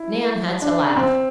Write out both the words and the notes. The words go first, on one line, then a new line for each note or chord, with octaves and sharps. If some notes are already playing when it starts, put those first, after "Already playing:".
Nan had to laugh.
Already playing: E4
D4
C4